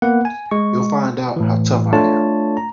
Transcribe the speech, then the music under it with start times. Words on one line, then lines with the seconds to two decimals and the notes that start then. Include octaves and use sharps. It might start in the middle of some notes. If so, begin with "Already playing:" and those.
You'll find out how tough I am.
0.02 A#3 B3 B4 F#5
0.25 G#5
0.51 G#3 C#6
1.36 A2 E3
1.93 A3 D4 F4 A4 C#5 A5
2.57 A#5